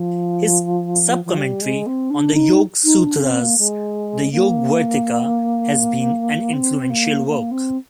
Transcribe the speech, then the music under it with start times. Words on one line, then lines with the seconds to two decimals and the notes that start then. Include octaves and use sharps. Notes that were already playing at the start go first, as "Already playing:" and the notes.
His sub-commentary on the Yoga Sutras, the "Yogavarttika," has been an influential work.
Already playing: F3
1.24 F3
1.37 G3
1.61 G#3
1.86 C4
2.10 D4
2.35 D#4
2.84 D#4
3.03 D4
3.21 C4
3.39 A#3
3.58 G#3
4.32 A#3
6.53 C4
6.89 A#3
7.27 A#3
7.51 C4